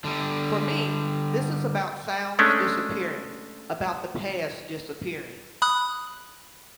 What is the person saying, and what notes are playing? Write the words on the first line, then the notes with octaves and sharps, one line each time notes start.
For me this is about sounds disappearing, about the past disappearing.
D3 G3
G#3 A3 C#4 D4
B5 D#6 F#6